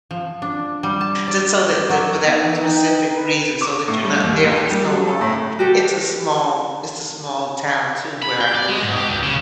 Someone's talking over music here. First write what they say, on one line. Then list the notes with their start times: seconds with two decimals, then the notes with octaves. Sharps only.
Just so that that for that specific reason so that you're not there for so long. It's a small it's a small town too where I moved from.
0.11 F3
0.42 D4
0.83 G3
1.01 A5
1.28 D5
1.71 G4
1.90 F#3
2.27 B3 D#4
2.42 E3
2.61 D#4 G5
3.15 B4
3.61 D6
3.88 A2
4.03 G3
4.23 D#2
4.43 A#1
4.58 G4
4.70 G3
4.85 F#3
5.07 A4
5.21 A2
5.59 F#4 G4 A4
8.22 B5
8.41 G5
8.55 D5
8.69 G#3
8.83 G#2
8.96 G4
9.09 C#2
9.23 C#3